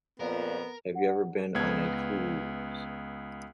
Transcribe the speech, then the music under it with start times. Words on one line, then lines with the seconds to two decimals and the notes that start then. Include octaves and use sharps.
Have you ever been on a cruise?
0.20 F2 A#2 B3 A#4
1.55 C#2 B3 G#6